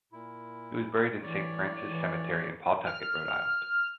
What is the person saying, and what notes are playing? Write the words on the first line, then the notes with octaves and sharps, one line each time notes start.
He was buried in Saint Francis Cemetery in Pawtucket, Rhode Island.
A#2 E4
A2 E3 C#5 D5
E3
F6